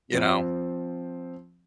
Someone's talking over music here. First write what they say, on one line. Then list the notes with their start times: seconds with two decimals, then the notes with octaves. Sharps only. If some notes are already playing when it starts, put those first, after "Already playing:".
you know?"
0.13 F3 C4